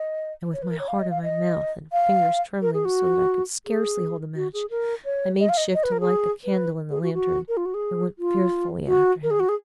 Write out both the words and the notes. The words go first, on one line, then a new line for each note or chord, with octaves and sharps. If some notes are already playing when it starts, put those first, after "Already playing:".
And with my heart in my mouth and fingers trembling so that I could scarcely hold the match, I made shift to light the candle in the lantern, and went fearfully after him.
Already playing: D#5
C#5
B4
A#4
C#5
F5
D#5
F5
D#5
F5
A#4
G#4
F#4
G#4
F#4
G#4
A#4
C#5
D#5
F5
D#5
D#5
B4
A#4
G#4
B4
G#4
F#4
F#4
A#4
F4
F#4
G#4
F4
F#4
A#4
G#4
F#4
G#4